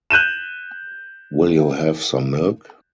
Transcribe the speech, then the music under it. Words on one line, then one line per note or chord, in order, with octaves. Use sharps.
Will you have some milk?
F#6 G6 D#7 E7